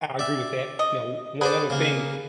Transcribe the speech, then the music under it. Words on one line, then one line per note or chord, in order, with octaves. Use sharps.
I agree with that. Now, o one other thing,
D5 E5
D#5
G#4 B4 C5 D5
C#3 A#3